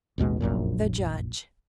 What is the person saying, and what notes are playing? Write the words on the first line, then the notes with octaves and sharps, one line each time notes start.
The Judge.
A1 D#2 B2 G#3
F1 A#1 F#2 A#2